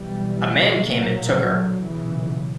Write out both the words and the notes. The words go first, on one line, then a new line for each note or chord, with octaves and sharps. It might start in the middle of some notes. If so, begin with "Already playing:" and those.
A man came and took her.
Already playing: B1 B2 E3 G3
B1 A#2 F#3 A#3
D3 F#3
B1 A#2 C#3 E3